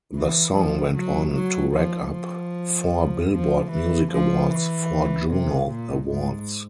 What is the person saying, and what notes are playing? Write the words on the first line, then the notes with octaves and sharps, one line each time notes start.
The song went on to rack up four "Billboard" Music Awards, four Juno Awards.
E3
F3
F#3
F#3
F3
F3
F3
E3
F3
E3
C3
A#2
G#2